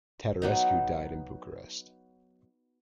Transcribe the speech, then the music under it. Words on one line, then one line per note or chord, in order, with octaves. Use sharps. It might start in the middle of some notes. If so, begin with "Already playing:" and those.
Tattarescu died in Bucharest.
F#3 B3 D#4